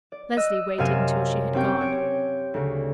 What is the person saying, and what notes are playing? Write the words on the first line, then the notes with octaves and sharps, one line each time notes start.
Leslie waited until she had gone.
D5
D#5 E6 F#6
F#2 C3 F5 G#5 A6 E7
C4 C#4 G4 G5 C#6 G6
C4 C#5 D7
D2 C#3